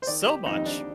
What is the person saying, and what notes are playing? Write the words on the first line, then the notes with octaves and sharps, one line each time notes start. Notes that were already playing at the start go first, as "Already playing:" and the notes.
so much
C5
D#3 D5
G4
F2 D#4
D4